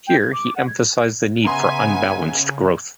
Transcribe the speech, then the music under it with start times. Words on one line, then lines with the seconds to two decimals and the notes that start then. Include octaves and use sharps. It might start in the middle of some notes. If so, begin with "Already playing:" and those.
Here he emphasized the need for unbalanced growth.
0.07 G5
0.20 G#6
0.33 D6
0.56 F#5
0.68 G#6
1.45 C#3 B3 E5 G#5 A#5 C6